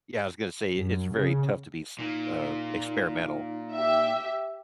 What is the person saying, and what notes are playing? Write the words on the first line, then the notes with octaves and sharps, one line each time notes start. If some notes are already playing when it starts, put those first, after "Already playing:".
yeah, I was gonna say it's very tough to be s uh, experimental.
F#2
C#3
A#2 D#4
G4 E5